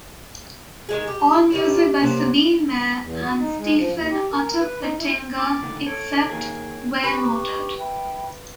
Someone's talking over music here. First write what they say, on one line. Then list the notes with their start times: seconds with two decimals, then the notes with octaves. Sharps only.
All music by Sabine Mair and Stefan Unterpertinger except where noted.
0.89 D#3 G#3 G#4
1.07 G4
1.52 A2 D#3 G4
2.00 C3 F#3 A#3
3.03 E2
3.22 F#4
3.40 D#4
3.58 G#3
3.78 F3
3.95 D#2
4.10 G4
4.32 A#4
4.61 B4
4.81 D#4
4.98 E4
5.36 B5 D6 A6
5.62 A2 D3 D#3
5.86 A4 C#5 D7
6.29 D#3 A#3 G#4
7.04 G4 B4 C#6
7.78 E5 G5 B5